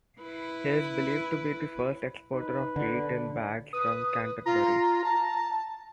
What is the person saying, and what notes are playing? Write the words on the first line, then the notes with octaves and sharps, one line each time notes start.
He is believed to be the first exporter of wheat in bags from Canterbury.
E4 B4
D#4 B4
D3 D5
B4 D#6
F4 A#5
A5